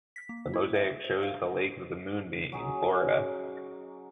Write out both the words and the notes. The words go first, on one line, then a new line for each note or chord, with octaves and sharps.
The mosaic shows the Lake of the Moon being in Florida.
B6
A#3
E4
E5
C5
F5
F#3 C#4 D#4 G#4